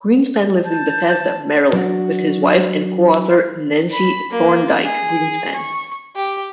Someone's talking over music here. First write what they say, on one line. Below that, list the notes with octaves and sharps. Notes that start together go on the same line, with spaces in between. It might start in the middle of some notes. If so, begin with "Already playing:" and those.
Greenspan lived in Bethesda, Maryland, with his wife and co-author Nancy Thorndike Greenspan.
A5 G6
F#3 D4 F#4
B5
A#3
G#4
C#6
G4